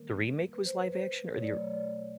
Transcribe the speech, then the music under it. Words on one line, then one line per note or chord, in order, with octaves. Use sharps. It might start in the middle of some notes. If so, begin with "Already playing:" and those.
the remake was live action or the
Already playing: D#3 G3 A#3 A#4
B4
C5
B4
C5
B2 F#3 A3 C#5
D5
C#5
D5